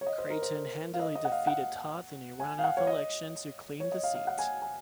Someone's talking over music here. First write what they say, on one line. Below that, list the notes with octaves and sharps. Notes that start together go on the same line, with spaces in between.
Creighton handily defeated Toth in a runoff election to claim the seat.
C#5
D#5
C5
A#4
C5
F5
D#5
D#5
F#5
F5
F#5
G#5
F5
F#5
C#5
D#5
C#5
D#5
F5
F5
F#5
G#5
G#5